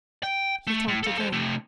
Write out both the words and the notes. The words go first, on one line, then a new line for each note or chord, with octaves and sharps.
He tapped again.
G5
A3
A2
A4 F5
A4 C5
C3 A3